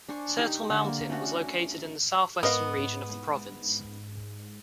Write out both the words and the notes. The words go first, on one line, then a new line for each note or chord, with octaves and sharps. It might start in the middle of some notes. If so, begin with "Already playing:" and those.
Turtle Mountain was located in the southwestern region of the province.
D4 C5 G#5 C#6
D#4 G4
D3 A#4 E5 C#6
A#3
A3 C#4 D4 F#4
F#4
G#2 B3 A#4 D#5 F5